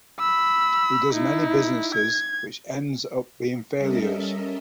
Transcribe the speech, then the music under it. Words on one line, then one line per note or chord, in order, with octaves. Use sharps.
He does many businesses which ends up being failures.
B5 E6
D#4 E4
G#6
G3 C#4 A4 A#4 D#5 E5